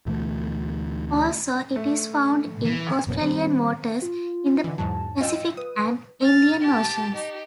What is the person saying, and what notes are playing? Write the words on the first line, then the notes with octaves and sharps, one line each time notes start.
Also, it is found in Australian waters, in the Pacific and Indian Oceans.
D2 B2 E3 A3
A3
E3
F#1 B2 A#3 C#4
D#3 G3 C4
F4
D3 E3
E2 G#2 F#3 A5
F4 D#5 G5 E6
B4 D#6
F6 A6
G4 A5
D#4 G4